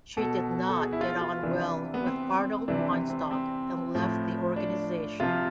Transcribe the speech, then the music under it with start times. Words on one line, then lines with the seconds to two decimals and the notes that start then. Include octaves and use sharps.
She did not get on well with Arnold Weinstock and left the organisation.
0.17 B2 A4
0.69 A4
0.80 G#4
0.93 E4
1.01 F4
1.21 F4
1.43 C3 E3 D4
1.94 B3
2.06 C4
2.68 C3 E3 D4
2.90 C4
3.10 C4
3.31 C4
3.95 A2 F3
4.56 D4
5.20 C3 F3 F4